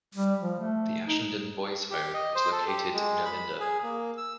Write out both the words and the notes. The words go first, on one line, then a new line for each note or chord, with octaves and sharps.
The Ashendene Boys Home was located in Olinda.
G3
F3
A3
D#4
G4
D#5
C5
A4
G4
G#3
B5
G#4
A#3
E6